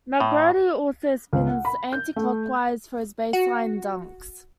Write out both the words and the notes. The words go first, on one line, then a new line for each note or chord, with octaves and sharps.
McGrady also spins anti-clockwise for his baseline dunks.
A2
C#2
F#5
B5
G6
A3
F#4